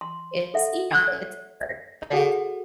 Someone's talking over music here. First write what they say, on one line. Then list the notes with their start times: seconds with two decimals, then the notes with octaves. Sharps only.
it's you know, it's hard, but I
0.01 C6
0.54 A4 E5 F#5
2.13 F#4 G#4 A4 F#5